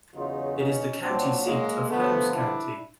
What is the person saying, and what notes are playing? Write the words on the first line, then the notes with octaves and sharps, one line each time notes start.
It is the county seat of Holmes County.
E2 C#3 F#3 D#4 F4
C#4 D#4
A#2 F#3 C4 D4
G#3 A#3
G2 D3 F3 A3 B3
D4 E4